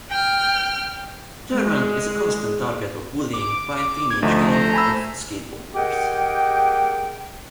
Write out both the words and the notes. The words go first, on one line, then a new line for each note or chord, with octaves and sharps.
Thurman is a constant target of bullying by a teenage gang of skateboarders.
G5 F6
G#3
D6
G#6
D2 F3 A3 D#4
C5 A#5
G#5 B5 E6
G4 G#4 A#4 D#5 F#5 G5